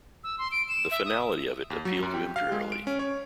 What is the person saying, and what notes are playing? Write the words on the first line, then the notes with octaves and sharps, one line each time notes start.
The finality of it appealed to him drearily.
E6
C6
D7
E7
E5
D#6
D#2
F#3
F#2
G4
F5
G#3
D7
C#4
C#5